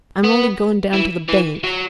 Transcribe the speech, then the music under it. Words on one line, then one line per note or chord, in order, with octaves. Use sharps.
"I'm only going down to the bank."
B3
E3
E3
F#3